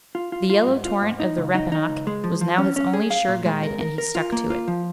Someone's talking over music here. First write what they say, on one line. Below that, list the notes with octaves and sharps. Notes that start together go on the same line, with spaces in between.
The yellow torrent of the Rappahannock was now his only sure guide and he stuck to it.
F4
F4
F4
G#2
F4
G#2
D#4
C#2
D#4
D#4
C#2
G#3
F3
F3
C#4
C#4
G#4
F5
A#2
G#3
A#4
A#4
A#4
F4
A#3
F4
F3